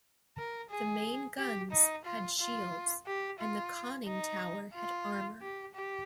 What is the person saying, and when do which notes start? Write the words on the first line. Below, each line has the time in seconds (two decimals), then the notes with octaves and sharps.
The main guns had shields and the conning tower had armor.
0.37 A#4
0.71 G#4
1.38 G4
1.72 D#4
2.05 F4
2.39 F4
3.06 G4
3.39 F4
4.07 D#4
4.74 F4
5.41 G4
5.75 G4